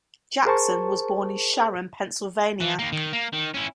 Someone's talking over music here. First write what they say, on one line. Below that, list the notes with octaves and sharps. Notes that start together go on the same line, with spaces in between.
Jackson was born in Sharon, Pennsylvania.
G#4 A#4 C5 A5 C#6
E3
D#3 A#3
D#3
A#3
D#3
C#4 E4